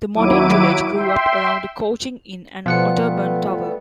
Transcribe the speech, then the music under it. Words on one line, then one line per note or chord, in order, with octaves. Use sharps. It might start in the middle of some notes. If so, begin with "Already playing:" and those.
The modern village grew up around a coaching inn and Otterburn Tower.
D#2 F#3 E4 D6 D7 D#7
E5 G5 C6
B2 F3 G3 A3 B3 F4 F#5 C#7